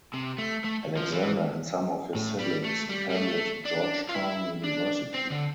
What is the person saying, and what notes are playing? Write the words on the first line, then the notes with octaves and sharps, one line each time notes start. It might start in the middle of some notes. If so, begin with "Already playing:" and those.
Alexander and some of his siblings attended Georgetown University.
C3
A3
A3
F3
E3
A2
G3
A3
G3
G3
A3
D4
F4
E4
D4
C4
D3